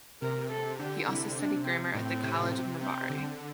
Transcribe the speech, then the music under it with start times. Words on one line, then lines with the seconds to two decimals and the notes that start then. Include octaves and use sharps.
He also studied grammar at the College of Navarre.
0.22 C3 A#4
0.51 A4
0.79 D3 G4
1.08 C3 E4
1.37 D4
1.66 C4
1.94 A2 C4
2.23 C3
2.81 C3 C4
3.10 D3